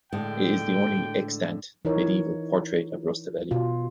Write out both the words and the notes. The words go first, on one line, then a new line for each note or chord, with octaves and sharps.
It is the only extant medieval portrait of Rustaveli.
A2 D3 G#3 G5
E3 D#4 A#4 C#5
B2 F4